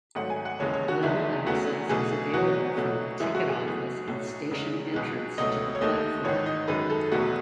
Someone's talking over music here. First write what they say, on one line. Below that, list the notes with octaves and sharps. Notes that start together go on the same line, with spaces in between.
Level access is available from the ticket office and station entrance to the platform.
G#1 G#2 F#3 A3 F#5
G#5
F#5
E1 D#2 C#3 E3 G#3 C#5
C#5
F#4
F#1 E2 D#3 G#3 E4
E2 C#3 E3 A3 F#4
B1 B2 A3 G#4
E2 B2 F#3 F#4
B1 B2 F#3 A3
F#1 F#2 E3 G#3 E4
F#4
G#4
B1 B2 A3
B1 A2 F#3 A3 A4
E2 C#3 G#3
B1 B2 G#3
C#2 B2 F#3 A3 D#5
C#5
D#2 D#3 A3 D#5
A1 G#2 D#3 C#5
D#5
F#2 D#3 G#3 B4
A4
E1 E2 B2 A3 F#4